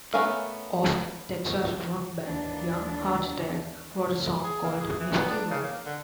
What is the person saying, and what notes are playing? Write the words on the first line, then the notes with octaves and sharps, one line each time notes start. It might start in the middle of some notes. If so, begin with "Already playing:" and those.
Austin, Texas rock band Young Heart Attack wrote a song called "Misty Rowe".
A3 B3 C#4 A#4 F5
D#2 E3 D4
G#4
A#3
G#4
E3
B3
D4
C#3
A#3
D3